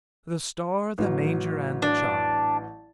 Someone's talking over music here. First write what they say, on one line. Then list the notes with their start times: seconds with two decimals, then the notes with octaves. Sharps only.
"The star, the manger, and the Child!"
0.98 A1 F#3
1.82 D4